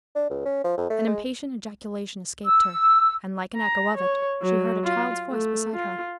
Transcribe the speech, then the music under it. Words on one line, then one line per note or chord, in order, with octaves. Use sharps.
An impatient ejaculation escaped her, and like an echo of it she heard a child's voice beside her.
D4
C#2
C#4
F3
F2
A3
G#3
E6
A#5
C#5
F#3
F4
A3
F4